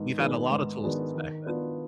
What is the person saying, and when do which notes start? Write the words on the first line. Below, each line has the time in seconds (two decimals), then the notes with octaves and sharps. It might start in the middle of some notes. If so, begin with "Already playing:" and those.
we've had a lot of tools since back then."
Already playing: G#2 D#3 B3 D4
0.18 D#3 B3 D4 G#4
0.51 G#2
0.83 D#3 B3 D4 G#4
1.15 D#3
1.46 B3 D4 F4